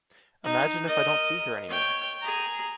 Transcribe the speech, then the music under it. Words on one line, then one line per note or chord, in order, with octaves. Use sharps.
Imagine if I don’t see her anymore.
D#4
A#4 D#5
C#5 G5
G#4 A#5